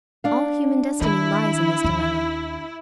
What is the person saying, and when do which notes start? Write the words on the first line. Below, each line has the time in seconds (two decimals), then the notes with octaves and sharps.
All human destiny lies in this dilemma.
0.24 D4 F5
1.01 D#3 E4
1.84 D#2